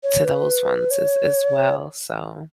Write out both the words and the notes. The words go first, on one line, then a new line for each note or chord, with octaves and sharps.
to those ones as as well, so
C#5
B4
C#5